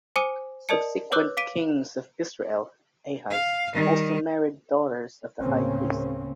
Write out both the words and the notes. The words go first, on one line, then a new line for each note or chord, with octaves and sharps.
Subsequent kings of Israel, Ahaz, also married daughters of the high priest.
C5 G#5 D6 D#6 C#7 D#7
A#4 D5 D#5 A5 C#7
B4 C#5 D6 E6 F#6
F5 D6 B6 D7 D#7
F5
D#3 G3
D2 A2 C#3 A#3 C4 C#4